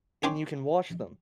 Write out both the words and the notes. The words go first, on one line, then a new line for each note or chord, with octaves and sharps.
And you can wash them.
C#5 G5 G#5 C6 D6